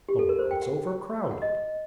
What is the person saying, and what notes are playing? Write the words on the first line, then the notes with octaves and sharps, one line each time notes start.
The world's overcrowded.
G4
A4
A#4
C5
G5
F#5
F#5
D#5